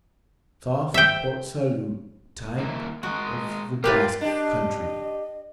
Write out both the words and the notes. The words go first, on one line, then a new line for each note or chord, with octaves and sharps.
Soft Port-Salut type of the Basque country.
E5 G5
D#3 A#3 E4
G#3 F#4 A#4 D#5
F4 G4 A#4 B4 D5
D4 G4 D#5